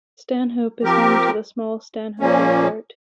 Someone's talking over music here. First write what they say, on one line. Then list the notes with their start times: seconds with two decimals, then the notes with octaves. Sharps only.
Stanhope is home to the small Stanhope Airport.
0.83 F3 C4 G4 A#4
2.20 A#2 F3 A#3 C#4